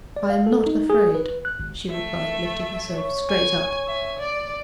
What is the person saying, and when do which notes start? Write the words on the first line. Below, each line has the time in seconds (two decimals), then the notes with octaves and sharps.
'I am not afraid,' she replied, lifting herself straight up.
0.16 D5
0.30 F5
0.47 A4
0.66 D#4
0.90 G#4
1.15 B4
1.26 B4
1.45 F#6
1.60 G#1
1.90 A3 E5
2.89 C#5
3.29 G#5
3.87 E5 G#5
4.19 D5